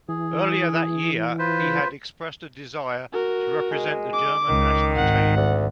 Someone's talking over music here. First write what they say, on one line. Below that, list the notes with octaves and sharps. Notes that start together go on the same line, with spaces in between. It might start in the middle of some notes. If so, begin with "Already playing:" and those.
Earlier that year, he had expressed a desire to represent the German national team.
E3 G#4
F4 B4 C5
F#4 A#4
G#3
D6
C#2 D#3
G#1 F#5
D2